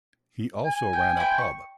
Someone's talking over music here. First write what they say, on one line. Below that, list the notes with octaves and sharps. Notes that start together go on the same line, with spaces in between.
He also ran a pub.
G#5
G5
E4 C5 G5
C#6